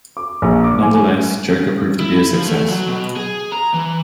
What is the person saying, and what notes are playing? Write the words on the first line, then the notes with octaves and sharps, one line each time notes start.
Nonetheless, "Joker" proved to be a success.
D6
A#1
D6
G#5
E4
F3
A3
F#3
B2
G#4
A#5
E3